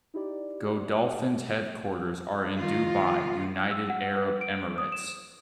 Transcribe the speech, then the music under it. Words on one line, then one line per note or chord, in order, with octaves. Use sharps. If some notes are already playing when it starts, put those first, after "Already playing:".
Godolphin's headquarters are in Dubai, United Arab Emirates.
D#4 E4 G4 D5
D#3 F4
E6
F#5
B4
D7
D#6
E7